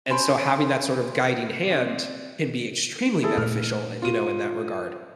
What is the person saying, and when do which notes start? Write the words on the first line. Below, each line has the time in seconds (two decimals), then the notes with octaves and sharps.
And so, having that sort of guiding hand can be extremely beneficial, eh, you know, in that regard.
0.10 C#4 C5 B5 C6 D7
1.65 C4 D5
3.23 E4 G#4 A4
3.38 A#2 A3 A#3 F6
4.02 F4 D#7